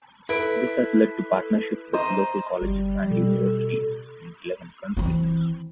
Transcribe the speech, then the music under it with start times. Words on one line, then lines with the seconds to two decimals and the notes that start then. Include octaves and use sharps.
This has led to partnership with local colleges and universities in eleven countries.
0.29 E4 A4 B4 D7
1.94 C5 D#5 A#5
2.62 G1 G3
3.11 B2 A4
4.97 E3 C4